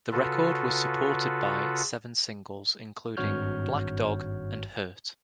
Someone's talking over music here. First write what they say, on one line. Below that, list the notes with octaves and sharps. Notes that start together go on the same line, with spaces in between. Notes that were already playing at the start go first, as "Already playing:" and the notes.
The record was supported by seven singles including "Black Dog" and "Hurt".
C#3 F4 F#4 A4 B4
G#1 G2 F#4 C#5 F6 G6